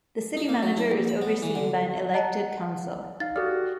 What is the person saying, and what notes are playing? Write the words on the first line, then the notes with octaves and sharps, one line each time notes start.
The City Manager is overseen by an elected Council.
D#4
A#3
F#3
E4
A#1
B5
B3
E3
D3
D#5 F#5 A5 A#5
D#4 F5 A6
F#4 G4 A4 D5 F6